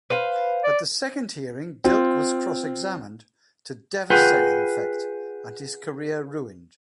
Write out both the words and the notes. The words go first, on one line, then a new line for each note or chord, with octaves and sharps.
At the second hearing Dilke was cross-examined to devastating effect and his career ruined.
B4 C5 F5
D5
C4 F4
F4 G#4 B4 F#5 G5